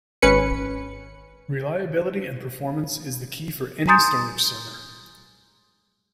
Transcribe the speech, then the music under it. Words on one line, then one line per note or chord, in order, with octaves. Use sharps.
Reliability and performance is the key for any storage server.
G#1 C#4 B4 C#7
G#5 A#5 C6 D#6 G6 A6